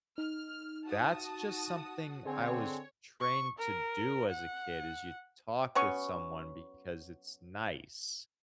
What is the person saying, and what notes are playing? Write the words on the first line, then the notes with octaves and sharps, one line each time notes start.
"That's just something I was trained to do as a kid is you talk with someone because it's nice."
D#4 F6
F#4 A5 D#6
D3 C4 G#4 C#5 G#5
C#6
A#4
F#5
F#3 B3 C#4 C#6